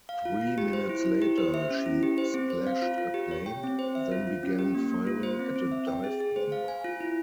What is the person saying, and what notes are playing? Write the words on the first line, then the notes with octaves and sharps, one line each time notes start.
Three minutes later, she splashed a plane, then began firing at a dive bomber.
F5
F4
F4
G4
C5
E4
E4
G4
C5
E5
C#4
E4
G4
C5
C4
C5
F5
F4
F4
G4
C#5
G5
C4
C5
E5
F4
F4
C#4
G4
A#3
A#3
F4
C5
C4
C4
E5
G5
G#4
G#4
C5
F5
G#5
F4
E4